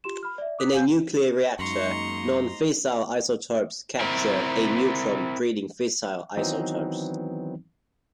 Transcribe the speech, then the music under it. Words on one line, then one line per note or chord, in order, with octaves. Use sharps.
In a nuclear reactor non-fissile isotopes capture a neutron breeding fissile isotopes.
F4 G4 C6 E7
B5 F6
D5 E5
D6 D#6 F#6 B6
F5 G#5 G6
F#2 G#3 A#3 D#4 A#5 C6 C#6
C4 E4 A#4
D#3 E3 F#3 B3 C4 D#4